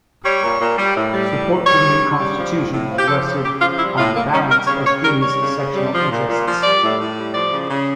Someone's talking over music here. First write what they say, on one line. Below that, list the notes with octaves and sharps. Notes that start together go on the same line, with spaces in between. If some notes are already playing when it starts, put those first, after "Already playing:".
Support for the new Constitution rested on the balance of these sectional interests.
G3 C#5
A#2
A#2
G3
A2
G3
A2
E3
G3 C#5
C#3
C#3
G3
F3
A2
A2
F3
G4
F3 A4
C#3
C#3 G4
F3 F4
G3 E4
A2 F4
A2 A#3
G3 C#4
G3 A#4
C#3 C#5
C#3 C#5
G3 A#4
G3 C#5
C#3
C#3
G3
F3
A#2
A#2
F3
G3 D5
A2
A2
G3
F3 D5
C#3
C#3